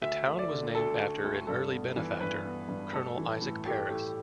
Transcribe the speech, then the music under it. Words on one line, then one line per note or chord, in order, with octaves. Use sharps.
The town was named after an early benefactor, Colonel Isaac Paris.
D2 E5
A3
D5
D3
D2 A4
A3
D2
G2 A4
B3
E3
G2 B4
B3
G2
A3 A4
E3
A2
A3 G4
A2